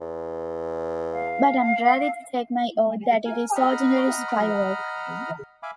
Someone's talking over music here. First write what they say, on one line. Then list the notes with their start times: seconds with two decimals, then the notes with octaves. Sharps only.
But I am ready to take my oath that it is ordinary spy work.
0.01 E2
1.12 F5
3.25 A#4 G#5
3.56 D#5 F#5 A#5 B5 F6
5.63 E5 F5 G#5 B5 D6